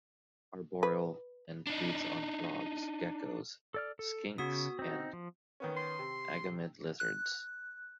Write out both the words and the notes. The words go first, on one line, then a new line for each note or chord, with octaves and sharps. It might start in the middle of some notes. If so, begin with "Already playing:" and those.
Arboreal and feeds on frogs, geckos, skinks and agamid lizards.
B4
D4 D#4
A4 D5 F6
A4
C#3 B3 F#4 D#6
C4 D#4
F3
D#3 B3 C#4
C6
C3
F#6